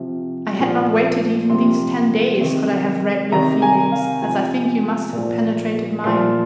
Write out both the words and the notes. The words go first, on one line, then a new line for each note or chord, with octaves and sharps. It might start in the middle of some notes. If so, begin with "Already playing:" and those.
I had not waited even these ten days, could I have read your feelings, as I think you must have penetrated mine.
Already playing: C3 F3
A#2 F3
C3 F3 C6
C3 D#3
C3 D#3 A#5
G#5
F5
C3 F3 G#5
A#2 F3
A#2 F3 C6